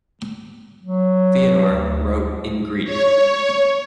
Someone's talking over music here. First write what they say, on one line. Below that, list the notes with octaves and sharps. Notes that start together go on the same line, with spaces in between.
Theodore wrote in Greek.
F#3
D2
C#5